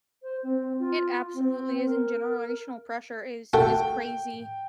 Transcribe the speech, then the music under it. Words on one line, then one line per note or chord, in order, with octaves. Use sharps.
It absolutely is, and generational pressure is is crazy.
C5
C4
F4
C4
A#4
A3 F#4 A4 G5